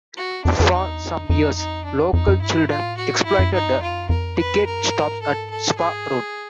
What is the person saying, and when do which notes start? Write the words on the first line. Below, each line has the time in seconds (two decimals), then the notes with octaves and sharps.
For some years local children exploited the ticket stops at Spa Road.
0.17 F#4
0.45 F2 D4
0.60 F2
0.73 E2 D#4
1.01 F2
1.29 F2 D#4
1.58 D#4
1.85 D4
2.13 F2 D#4
2.28 F#2
2.41 G2 E4
2.69 G#2 F4
2.84 A2
2.97 F#4
3.26 G2 E4
3.39 F#2
3.54 G2 D#4
3.67 F#2
3.80 F2 F4
3.92 F#2
4.09 F2 A#4
4.37 B4
4.66 F#2 A#4
4.79 G2
4.94 G#2
5.22 A4
5.50 A4
5.78 G#4